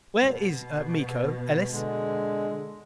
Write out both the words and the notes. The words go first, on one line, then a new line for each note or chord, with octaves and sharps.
"Where is Miko, Ellis?"
B2
D3 G#3